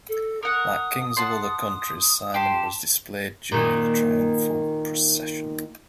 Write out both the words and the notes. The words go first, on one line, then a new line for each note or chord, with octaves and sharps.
Like kings of other countries Simon was displayed during the triumphal procession.
A4
A#4 F#5 D#6
F#5 A5 C6
G4 A5 C6
A#2 D#3 A#3